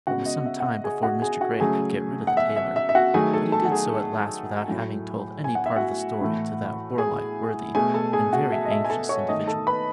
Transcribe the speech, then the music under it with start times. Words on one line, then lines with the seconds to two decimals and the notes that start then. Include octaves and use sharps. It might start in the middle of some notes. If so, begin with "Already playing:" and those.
It was some time before Mr. Grey could get rid of the tailor, but he did so at last without having told any part of the story to that warlike, worthy, and very anxious individual.
0.07 C#3 G#3 B3 F#4 F#5
0.26 D#5
0.46 E5
0.60 F#5
0.65 E5
0.84 G#4 G#5
1.03 F#4 F#5
1.22 G#4 G#5
1.41 F#4 F#5
1.60 C#3 F#3 A3 G#4 G#5
2.27 F#5
2.37 E5
2.56 E5
2.76 E5
2.89 E5
2.95 F#4 F#5
3.14 D#3 F#3 A3 G#4 G#5
3.33 A4 A5
3.52 A4 A5
3.65 F#5
3.71 G#4 G#5
4.68 A2 F#3 A3
5.44 G#5
5.55 F#5
5.66 E5
5.76 F#4 F#5
6.21 A2 E3 A3
6.98 G#4 G#5
7.75 B2 A3 G#4 G#5
7.94 A4 A5
8.13 G#4 G#5
8.33 F#4 F#5
8.52 E5
8.65 D#5
8.71 E5
8.85 G#5
8.90 A4 A5
9.09 C#5 C#6
9.29 D#3 A3 D#5 D#6
9.48 A4 A5
9.67 B4 B5